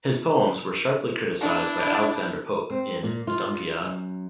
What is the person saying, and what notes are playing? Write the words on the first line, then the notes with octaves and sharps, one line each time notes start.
His poems were sharply criticized by Alexander Pope in "The Dunciad".
D4 E4
C4
A#2
F4
F#2